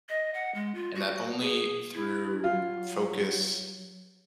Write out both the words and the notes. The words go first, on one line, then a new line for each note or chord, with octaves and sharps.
And that only through focus
D#5
F#5
G#3
F4
F#4
G#4
E4
F#3 F4